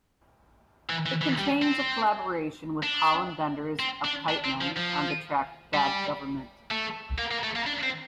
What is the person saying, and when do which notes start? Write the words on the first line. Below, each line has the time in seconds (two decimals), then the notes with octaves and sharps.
It contains a collaboration with Colin Benders of Kyteman on the track "Bad Government".
0.90 E3
1.06 E3
1.22 E3
1.38 G3
1.62 C4
2.83 D4
3.79 C4
4.05 D4
4.29 D4
4.45 C4
4.61 F3
4.76 F3
5.74 G3
6.71 A3
7.19 A#3
7.31 A#3
7.44 A3
7.56 A#3
7.67 D4
7.83 C4